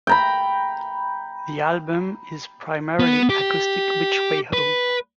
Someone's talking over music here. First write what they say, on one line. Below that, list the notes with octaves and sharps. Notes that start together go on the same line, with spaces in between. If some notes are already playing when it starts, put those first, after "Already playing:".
The album is primarily acoustic-Which Way Home?
G5 A#5 B5
B3
G4
B4